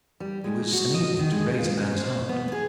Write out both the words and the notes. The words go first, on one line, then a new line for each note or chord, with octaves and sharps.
It was an evening to raise a man's heart.
G3
G#3
F#4
D#5
D#3
G#3
F4
C#4
C5
B3
G#4